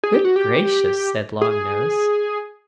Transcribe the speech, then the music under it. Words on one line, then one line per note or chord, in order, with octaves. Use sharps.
'Good gracious!' said Long Nose.
G#4
G4
F#4
G4
G#4